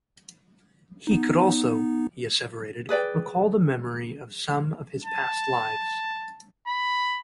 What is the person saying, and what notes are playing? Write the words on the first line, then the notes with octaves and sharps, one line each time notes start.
He could also, he asseverated, recall the memory of some of his past lives.
B3 D#4
G#4 B4 D5 G5
A5
B5